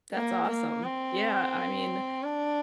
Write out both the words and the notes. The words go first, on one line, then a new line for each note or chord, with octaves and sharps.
That's awesome. Yeah, I mean,
A#3
A#3
C4
D4